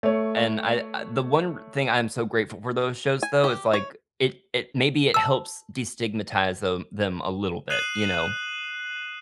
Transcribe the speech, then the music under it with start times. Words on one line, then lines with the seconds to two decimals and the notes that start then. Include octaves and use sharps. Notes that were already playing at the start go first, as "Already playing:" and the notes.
and I the one thing I'm so grateful for those shows though, is like, it it maybe it helps destigmatize the them a little bit, you know?
0.03 A3 C#5
3.23 G#5
3.44 G4
3.74 C#5
5.14 A5 E6
7.70 D#6 F#6 C7 D#7 E7 F#7